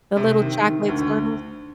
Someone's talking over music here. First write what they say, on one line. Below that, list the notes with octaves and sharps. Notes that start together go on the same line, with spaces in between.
The little chocolate turtles?
C3
D#3
D#3
D2